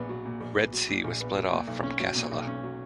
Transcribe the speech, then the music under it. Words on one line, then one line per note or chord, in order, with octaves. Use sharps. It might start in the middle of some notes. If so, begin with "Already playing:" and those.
Red Sea was split off from Kassala.
Already playing: A#1 A#2 B3
F#3
A#2
A#1
B3
F#3
A#2
A#1
B3
F#3
A#2
B1
C#4
F#3
A#2
B1
C#4
F#3